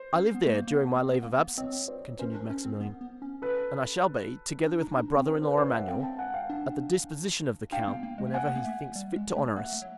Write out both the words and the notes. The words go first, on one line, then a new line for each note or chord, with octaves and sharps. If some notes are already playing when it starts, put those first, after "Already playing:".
"I live there during my leave of absence," continued Maximilian; "and I shall be, together with my brother-in-law Emmanuel, at the disposition of the Count, whenever he thinks fit to honor us."
Already playing: C5
C#4
B3
A3
A#3
A#3
B3
C4
B3
A#3
B3
C4 C#5 D#5
C5 D5
C#4 A#4 C5
D4
C#4
C4
B3
B3
C#4
A4 B4
D4
D#4
D4
C4
C#4 A#4 C5
B4 C#5
C#4 C5 D5
E5 F#5
C4 F5 G5
G5 A5
F#5 G#5
F5 G5
D4
D4 F5 G5
B3
A#3
G#3
A3
A#3 F#5 G#5
A#3
A3
G3
G#3
A3
A#3 E5 F#5
A3
F#3